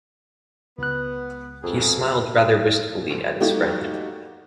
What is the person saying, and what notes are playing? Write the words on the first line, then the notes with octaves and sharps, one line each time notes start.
He smiled rather wistfully at his friend.
C#2 B3 F#6
F2 A#2 B3 G#4
G3 A3 A#3 D#4 F#4 G4